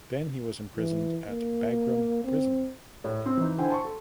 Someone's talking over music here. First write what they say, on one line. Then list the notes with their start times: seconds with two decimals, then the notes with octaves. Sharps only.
Then he was imprisoned at Bagram prison.
0.77 E3
1.27 A#3
2.24 C4
3.04 A2
3.26 C4
3.37 E3 D#4
3.58 D3 E4 C5 G5 G#5
3.70 A5 C6 C#6
3.85 A4